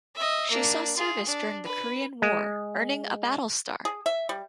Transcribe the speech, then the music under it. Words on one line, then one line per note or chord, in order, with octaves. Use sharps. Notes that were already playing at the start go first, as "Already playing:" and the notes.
She saw service during the Korean War, earning a battle star.
D#5 E5
A#3 D4
F4 G#4
D4
B4
G#3
G#4
E5
G3